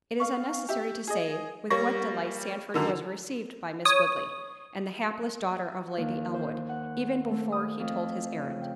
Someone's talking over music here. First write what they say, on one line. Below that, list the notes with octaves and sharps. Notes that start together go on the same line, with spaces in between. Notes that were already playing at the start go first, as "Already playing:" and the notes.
It is unnecessary to say with what delight Sandford was received by Miss Woodley, and the hapless daughter of Lady Elmwood, even before he told his errand.
F5 C#6
G4 E5
G#4 D#5
G3 A#3 C#5 C#6 A#6
F#2 D3 D#3
C#5 D#6
D#2
C5
F#5
A3
D#6
F2
C#3
G5